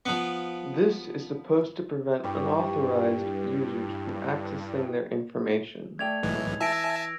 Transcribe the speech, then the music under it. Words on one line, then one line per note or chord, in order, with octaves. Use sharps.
This is supposed to prevent unauthorized users from accessing their information.
F3 B3
G2 E4 G4 B5 C#6
A3 D5 G5 G#6 F7
B1 A2 E3 G#3
E3 E5 G#5 A5 E6 A#6 D7